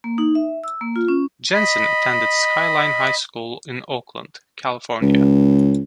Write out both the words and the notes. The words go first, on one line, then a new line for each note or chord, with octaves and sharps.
Jensen attended Skyline High School in Oakland, California.
A#3
D#4
E5
E6
A#3
F4
C#4
D#5 B5
C#2